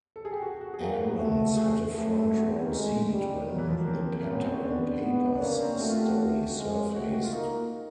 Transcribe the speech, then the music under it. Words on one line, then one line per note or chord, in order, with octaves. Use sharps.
Aarons had a front-row seat when the "Pentagon Papers" story surfaced.
A4
G#4
G4
F#4
F#4
G#4
A#3 G4
A3 F#4
A4
G#4
A3
F#4
C4
B3
A3
A#3
G#3 A3
G3
D#3 F#3
E3
F3
A#3
C4
A#3
B3 C#4
C4
C#4
B3 D4
B3
D4
A#3 C#4
C#4
C4
C#4
A3 F#4
F4
G4
F#4
G#3
A3 F#4
G4
F#4
F4
A#3 D#4